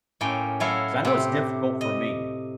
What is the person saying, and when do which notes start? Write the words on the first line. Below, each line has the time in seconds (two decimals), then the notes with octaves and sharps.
'Cause I know it's difficult for me.
0.21 A2 A#3 C#4 G5
0.60 F#3 A3 E4 F5
1.05 C3 G4
1.81 D#5